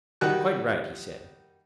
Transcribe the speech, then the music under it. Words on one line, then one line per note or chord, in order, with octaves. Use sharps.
Quite right, he said.
D#3 G3 F#4 F#6